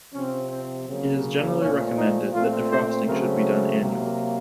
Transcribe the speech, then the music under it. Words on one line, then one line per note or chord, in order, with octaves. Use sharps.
It is generally recommended that defrosting should be done annually.
C3 F3 C4 C#4
C4
C#3 F#3 A#3
A#2 F3 A3 C#4
D#4
A#2 A3 C4 F4
C5
C#3 F#3 A3 C4 A#4
C3 F#3 A#3